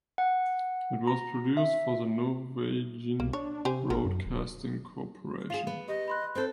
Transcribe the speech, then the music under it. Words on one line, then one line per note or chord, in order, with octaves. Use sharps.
It was produced for the Norwegian Broadcasting Corporation.
F#5
A#5
E5
C2 A#3
D4 C#5
C3 G4 C5 G#5
G#1 F#3 A#4
F#2
D1
F4 G#4 F5
B3
G4 D#5
B5 C6 F#6
C4 A4 C5